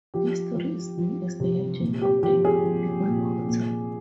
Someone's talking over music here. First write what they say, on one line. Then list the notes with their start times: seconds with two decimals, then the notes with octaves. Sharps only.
This story is known as the legend of The People Potter.
0.14 F3 G4
0.56 F3
0.98 F3
1.40 C3
1.81 A#2
2.02 G4
2.23 F3 G4
2.45 G#4
2.64 F3
3.07 A#2
3.48 A#2